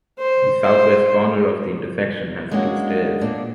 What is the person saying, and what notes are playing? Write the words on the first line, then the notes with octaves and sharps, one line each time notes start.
The southwest corner of the intersection has two stairs.
C5
C5
G#3 A#3 C#4 D4 F#4
A#2 A#3 D4